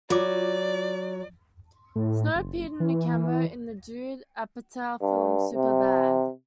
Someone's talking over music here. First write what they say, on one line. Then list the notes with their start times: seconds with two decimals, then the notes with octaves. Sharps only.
Snow appeared in a cameo in the Judd Apatow film "Superbad".
0.10 F#3 F4 D5 D6
1.96 A2
2.35 F#1
2.80 E3
5.01 G2
5.54 C3